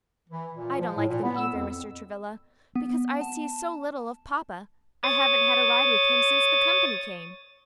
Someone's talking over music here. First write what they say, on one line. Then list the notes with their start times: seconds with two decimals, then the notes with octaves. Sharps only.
"I don't like them either, Mr. Travilla, because I see so little of papa. I haven't had a ride with him since the company came."
0.29 E3
0.53 A#2
0.80 F3
0.97 A2
1.08 A#2
1.22 B3
1.36 E6
1.52 F2
2.76 B3
3.21 A5
5.04 C#5 D#6 A6